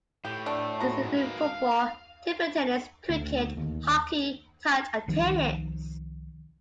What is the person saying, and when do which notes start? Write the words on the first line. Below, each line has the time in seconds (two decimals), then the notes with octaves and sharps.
These include football, table tennis, cricket, hockey, touch and tennis.
0.25 A2 G4
0.46 F#3 A3 D4
0.80 G#3 F#4 A#5
1.02 G#2
1.16 A#3 B4
1.40 F5
3.09 D2
3.57 D#2
5.08 C2 D#3 F3